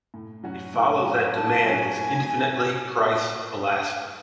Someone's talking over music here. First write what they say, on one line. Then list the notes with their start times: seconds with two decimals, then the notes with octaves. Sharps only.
It follows that demand is infinitely price-elastic.
0.14 A2
0.44 F#3 C#4 F#4
0.74 A2
1.04 F#3 C#4 F#4
1.35 A2 A5
1.65 F#3 C#4 F#4 G#5
1.95 A2